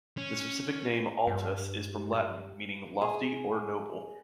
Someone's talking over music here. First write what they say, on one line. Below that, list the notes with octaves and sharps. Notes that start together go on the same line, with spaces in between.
The specific name "altus" is from Latin, meaning "lofty" or "noble".
C#4
G2
G#4